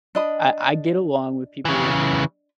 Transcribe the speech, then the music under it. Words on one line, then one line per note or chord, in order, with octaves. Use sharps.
I I get along with people
D4 D#5 B5
C#3 E3